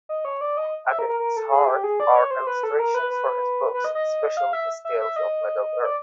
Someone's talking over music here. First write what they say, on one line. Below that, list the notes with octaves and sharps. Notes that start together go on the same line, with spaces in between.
At its heart are illustrations for his books, especially his tales of Middle-earth.
D#5
C#5
D5
D#5
E5
A#4
A#4
A#4
A4
G#4
G4
G#4
D5
C#5
C5
B4
A4
A#4
B4
B4
B4
D#5
D#5
F5
E5
E5
E5
D#5
D5